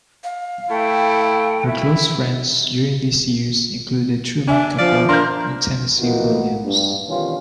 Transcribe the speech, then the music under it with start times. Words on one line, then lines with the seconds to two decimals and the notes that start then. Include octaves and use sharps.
Her close friends during these years included Truman Capote and Tennessee Williams.
0.24 F5
0.71 A3 E4 G5
1.67 E4 E5
4.47 D4 E5 G#5
4.78 F3 D5 F5
5.09 D4 A#4 C6 F6 G6
5.99 E3 F3 A#3 B3 D#4 F#4
6.64 G2
7.08 B2 D#3 E3 G3 C#4 F4